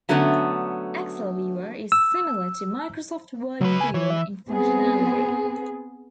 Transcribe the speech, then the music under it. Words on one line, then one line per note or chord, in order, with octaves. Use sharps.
Excel Viewer is similar to Microsoft Word Viewer in functionality.
D3 F#3 A3 B3 C#4
E6
C#2 F#3 B4
G#5
E3 C#5
E5
B3 C4 G#4